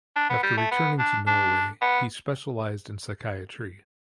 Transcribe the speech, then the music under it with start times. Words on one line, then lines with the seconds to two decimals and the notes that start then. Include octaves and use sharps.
After returning to Norway he specialised in psychiatry.
0.16 D4
0.30 B3
0.43 G3
0.57 A3
0.71 B3
0.99 D4
1.27 D4
1.82 B3